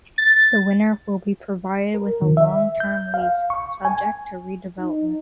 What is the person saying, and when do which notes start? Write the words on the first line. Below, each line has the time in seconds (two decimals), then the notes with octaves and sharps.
The winner will be provided with a long-term lease, subject to redevelopment.
0.18 A6
1.94 A#4
2.22 D#3
2.37 E5
2.80 G6
3.14 F5
3.50 C#6
3.85 G#5
4.78 D#4